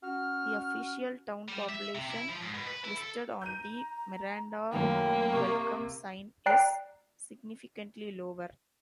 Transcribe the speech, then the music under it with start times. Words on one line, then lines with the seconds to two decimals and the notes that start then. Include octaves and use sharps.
The official town population listed on the Miranda welcome sign is significantly lower.
0.03 C#4 F#4 F6
1.49 G3
1.69 E5
1.95 C3
2.11 E4
2.29 F3
2.41 G#2
2.54 B2
2.67 B4
2.84 E4
2.98 A4
3.42 A#5 G6 D#7
4.72 F#2 A2 D#3 A#3 G5
5.32 C3 C#6
6.46 D5 G5 A#5 F#6 C7 D7